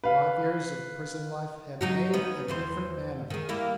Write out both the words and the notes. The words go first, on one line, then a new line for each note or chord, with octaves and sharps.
Five years of prison life had made a different man of him.
B4 F5
F#3 D#4 F#4
B3 C#4 D#4
E2 E3 C5
D#3 G#4
G3 A#3 E4